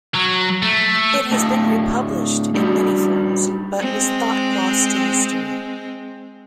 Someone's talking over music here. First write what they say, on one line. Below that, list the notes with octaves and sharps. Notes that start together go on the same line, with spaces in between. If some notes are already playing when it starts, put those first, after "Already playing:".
It has been republished in many forms, but was thought lost to history.
F#3
A3
A2 D3 A3 D#5 G5 A5
G3 D4 D#4 F#4 G4
G#3 C4